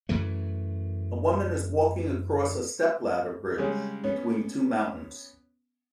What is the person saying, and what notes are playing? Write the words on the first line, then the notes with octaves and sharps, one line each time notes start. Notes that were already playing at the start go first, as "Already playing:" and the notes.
A woman is walking across a step ladder bridge between two mountains.
F#2 E3 A3
C#3 G3 G#3 C#4
B3 C#4